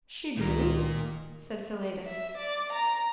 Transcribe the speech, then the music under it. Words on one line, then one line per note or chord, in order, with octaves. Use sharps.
"She doos," said Philetus.
C#2 A#2 D#3 A#4
E5
D5
A#5